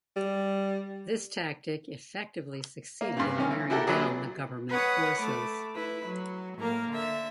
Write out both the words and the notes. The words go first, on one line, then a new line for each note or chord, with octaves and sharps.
This tactic effectively succeeded in wearing down the government forces.
G3
A#3
G2 C#3
C3 D#3 C#4
E3
E4 F#4 G4 A4 A#4
A#1 F#3 G#4 B4 B5
B4 C#5 F#5 D#6
A3 B5 D6
E4 B4
F#3
A2 A#3 A#4 F5
D3 E5